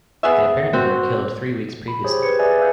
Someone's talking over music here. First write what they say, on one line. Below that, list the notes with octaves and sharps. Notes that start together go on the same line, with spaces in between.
They apparently were killed three weeks previously.
B3 G#4 E5
C4 F#4
B5
G4 G#4 C5 C#5
B4 G#6 C#7
G#4 B4 D5 E5 G#5
D5 E5 F5 E6 F#6 G6